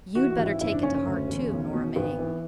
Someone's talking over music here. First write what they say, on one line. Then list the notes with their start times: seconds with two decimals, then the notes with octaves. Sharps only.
You'd better take it to heart too, Nora May.
0.15 E3 F#4
0.30 F#4
0.38 G#1
0.46 E4
0.60 F#1 E4
0.72 D4
0.83 F#1 C#4
0.94 C#4
1.06 D2
1.28 E1
1.51 B1
1.74 B2
1.96 G#1 B3
2.19 E3